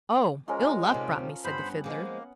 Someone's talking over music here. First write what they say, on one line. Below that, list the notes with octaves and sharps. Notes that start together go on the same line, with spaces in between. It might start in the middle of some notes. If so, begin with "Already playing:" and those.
"Oh, Ill-Luck brought me," said the Fiddler.
F3 G#3 C#4 A#4
C3 D#3 G3
G2 B3 C5 B5
F#5
F3 G#3 A#3